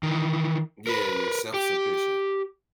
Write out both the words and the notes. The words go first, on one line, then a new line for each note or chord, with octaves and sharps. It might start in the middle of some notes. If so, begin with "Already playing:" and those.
Yeah. You're self-sufficient.
D#3 E3
A#4 B4
G4